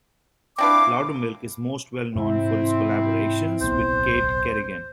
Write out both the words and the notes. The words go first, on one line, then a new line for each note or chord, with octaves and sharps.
Lowdermilk is most well known for his collaborations with Kait Kerrigan.
C4 D4 E4 B4 F5 D6
G#2 C3 E3 C4 E4
D1 B1 B3 C5